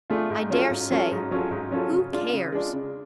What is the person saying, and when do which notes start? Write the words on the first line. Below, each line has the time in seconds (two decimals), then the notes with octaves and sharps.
I dare say. Who cares?
0.10 A3 D4 F4 G#4
0.30 G#2
0.50 F#3 C#4 F4 A4
0.70 G#2
0.91 F#3 C#4 F4 A4
1.12 G#2
1.31 F#3 C#4 F4 A4
1.51 G#2
1.71 F#3 C#4 F4 A4
1.92 C#3
2.12 G#3 D4 F4
2.33 C#3
2.52 G#3 D4 F4
2.73 C#3